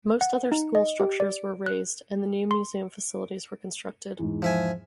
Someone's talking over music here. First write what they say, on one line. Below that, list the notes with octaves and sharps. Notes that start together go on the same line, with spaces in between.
Most other school structures were razed, and new museum facilities were constructed.
F#5
D#4
D#5
G4
D5
F#6
C6
E2 G#2
F3 E5 G#5